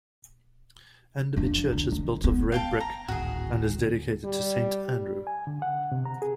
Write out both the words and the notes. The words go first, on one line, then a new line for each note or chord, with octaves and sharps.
Anderby church is built of red brick, and is dedicated to Saint Andrew.
F2 D4
D2
D#3
B3
F5 G5 A5
A#5
D1 G#1 F#4 G#4
D3
G3
G#5
D3
F#5
C3
A#5
G#4